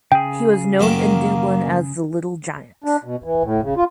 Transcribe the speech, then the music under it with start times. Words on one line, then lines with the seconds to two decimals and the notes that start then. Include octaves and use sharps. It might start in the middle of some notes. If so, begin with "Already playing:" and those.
He was known in Dublin as the "little giant".
0.12 C#3 G#4 G5
0.80 F#2 D#3 A#3 D6
2.84 D4
3.04 B2
3.24 E3
3.44 A2
3.63 C#3
3.77 F4